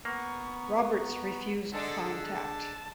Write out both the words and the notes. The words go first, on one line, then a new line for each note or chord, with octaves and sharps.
Roberts refused contact.
A#3 B3 A#5 C#6
D3 G#3 D4 A4
A5